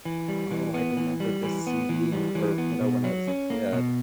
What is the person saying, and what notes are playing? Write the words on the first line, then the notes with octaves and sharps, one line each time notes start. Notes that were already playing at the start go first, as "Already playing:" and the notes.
"Oh, I remember this CD." Or, you know, when I was a kid,
E3
G3
E3
B3
E3
G3
E3
B3
E3
G3
E3
B3
B2
F#3
C#4
A#3
B2